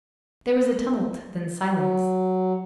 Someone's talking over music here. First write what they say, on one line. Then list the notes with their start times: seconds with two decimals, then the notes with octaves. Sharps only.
There was a tumult, then silence.
1.72 F#3